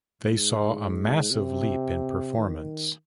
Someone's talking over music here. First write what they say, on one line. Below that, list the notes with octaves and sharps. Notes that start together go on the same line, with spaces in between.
They saw a massive leap in performance.
G#2
C3
D#3